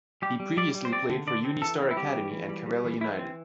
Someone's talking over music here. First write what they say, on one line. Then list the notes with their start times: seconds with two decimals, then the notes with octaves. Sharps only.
He previously played for Unistar Academy and Karela United.
0.22 G3 G4
0.40 G3
0.57 G3 D5
0.75 G3
0.85 C5
0.92 C4 D5
1.09 D3
1.27 D3 D5
1.45 C4
1.62 E3 A4
1.79 C4
1.91 E4
1.97 G3 G4
2.14 E3
2.31 E3
2.49 G3
2.66 G3
2.84 E3
3.01 E3 E4
3.19 C4